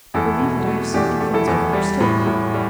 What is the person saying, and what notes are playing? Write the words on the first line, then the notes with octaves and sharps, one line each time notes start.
I believe that I have some influence over her still.
E2 E4 A4
B2
A3
E2 D4 G4
A3
E4 A4
E2
G3
A2
A2
G3